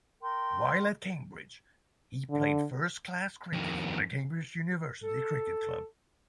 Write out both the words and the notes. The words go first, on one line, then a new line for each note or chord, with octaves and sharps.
While at Cambridge, he played first-class cricket for the Cambridge University Cricket Club.
A#4 G5 C6
D3
F2 D#3
A4